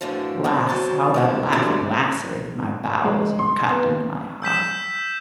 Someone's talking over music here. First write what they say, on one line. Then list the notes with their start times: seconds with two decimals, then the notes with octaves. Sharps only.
Alas, how that laughing lacerated my bowels and cut into my heart!
0.01 F#2 A2 D3 E3 F3
0.44 E2 G#2 C4
0.69 F#3 C5 A5
1.14 F2 F3 D4
1.53 D3 G3 A3 E4 F#4 B4
3.04 G#3
3.39 C6
3.70 B3
3.84 D#2
4.42 E6 G6 B6 E7